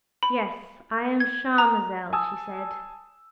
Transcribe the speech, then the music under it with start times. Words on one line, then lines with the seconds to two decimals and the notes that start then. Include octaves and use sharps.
"Yes, I am 'Charmazel,'" she said.
0.23 B5
1.20 G#6
1.58 A#5
2.13 G#5 A5 D#6 E6